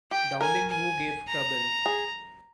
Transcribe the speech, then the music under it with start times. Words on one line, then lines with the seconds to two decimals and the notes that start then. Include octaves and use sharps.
Downing who gave trouble.
0.11 G4 G5
0.41 A#4 G#5
0.69 G#5
1.28 A#5
1.86 G#4